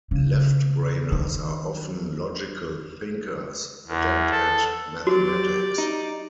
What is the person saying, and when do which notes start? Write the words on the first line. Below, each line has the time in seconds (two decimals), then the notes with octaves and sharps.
'Left-brainers' are often logical thinkers, adept at mathematics.
0.11 C#3
1.12 D#3
3.87 E2
4.31 A4
5.07 F#3 F#4 G4 D5
5.78 D#4